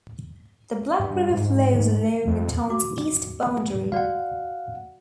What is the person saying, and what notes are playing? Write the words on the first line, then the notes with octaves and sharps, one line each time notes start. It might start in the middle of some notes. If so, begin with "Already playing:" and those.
The Black River flows along the town's east boundary.
G2
G#2
F2
F#4 D6
F#4 D5 F5 F#5